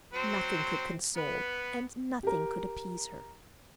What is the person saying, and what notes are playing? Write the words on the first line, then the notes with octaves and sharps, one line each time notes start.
Nothing could console and nothing could appease her.
F#3 C4 C5
B3 B4
G4 A#4